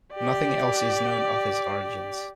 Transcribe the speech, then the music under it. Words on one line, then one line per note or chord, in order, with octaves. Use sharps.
Nothing else is known of his origins.
G4 D5